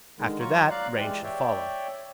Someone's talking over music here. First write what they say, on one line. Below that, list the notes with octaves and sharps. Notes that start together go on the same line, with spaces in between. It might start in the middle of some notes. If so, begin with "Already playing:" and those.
After that rain should follow.
D3 D#3 G#3
F#3 F4 A#5 C#6
D5 F5 A#5 F#6
E3 G#3 G4 D5
C#5 D5 E5 G5